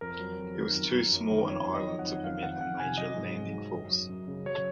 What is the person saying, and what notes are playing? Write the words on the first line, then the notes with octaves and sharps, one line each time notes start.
It was too small an island to permit a major landing force.
F2 A#4
F#3
F2
D#3
F#2
F#3
F#2
D#3
F2 C#5
F#3
D#5
F2
F#5
D#3
F2 F5
D#3 F#5
F2 F#5
C3 G#5
F#3 D#5
G#2
G#2
F#3
F#2
F#3
F#2
C#3
F#3 C#5